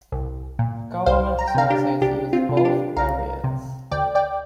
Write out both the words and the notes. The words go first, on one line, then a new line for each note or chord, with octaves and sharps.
Government sources use both variants.
C2
A#2
C2 C5 F5
A#5
G5
C3 F5 A#5
D4 G4
C2 D4 G4
C4 F4
C3
F4
D4 G4
C2 F5 A#5
C3
D2 D5 G5
D5 G5